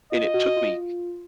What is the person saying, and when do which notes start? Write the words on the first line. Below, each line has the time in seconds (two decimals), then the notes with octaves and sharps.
And it took me
0.12 F4 D#5
0.23 F4
0.34 F#4
0.45 F#4
0.56 F4